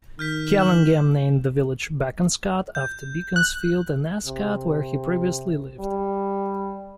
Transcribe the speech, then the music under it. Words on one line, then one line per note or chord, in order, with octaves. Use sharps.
Callingham named the village 'Bekonscot' after Beaconsfield and Ascot where he previously lived.
D#3 F6 G6 B6
E7 F#7
G6
F#6
C3
G3